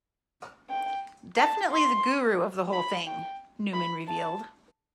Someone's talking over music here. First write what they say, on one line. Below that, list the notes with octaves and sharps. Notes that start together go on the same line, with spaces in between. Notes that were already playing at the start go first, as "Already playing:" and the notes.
Definitely the guru of the whole thing, Newman revealed.
G5
A5
C6
B5
G5
B5
A5